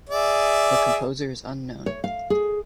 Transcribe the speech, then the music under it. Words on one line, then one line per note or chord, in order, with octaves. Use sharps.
The composer is unknown.
G#4 D5 E5
C#5
F5
G#4